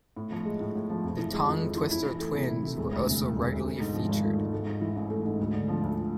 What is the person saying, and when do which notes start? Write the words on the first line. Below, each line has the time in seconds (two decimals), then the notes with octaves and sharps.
The "Tongue Twister Twins" were also regularly featured.
0.16 A2
0.31 F3
0.45 G#3
0.60 A2
0.75 A2
0.90 F3
1.04 F2
1.18 E3
1.33 G#3
1.47 F2
1.62 F2
1.76 E3
1.91 E4
2.05 E3
2.20 A3
2.35 C3
2.49 E4
2.63 E3
2.78 E1
2.93 D2
3.07 C3
3.21 E1
3.36 E1
3.51 D2
3.65 A3
3.80 G#2
3.94 F3
4.09 G#1
4.24 A3
4.38 G#2
4.53 A3
4.66 G#2
4.81 E3
4.96 A1
5.10 A3
5.25 G#2
5.39 D2
5.54 D3
5.68 F3
5.83 D2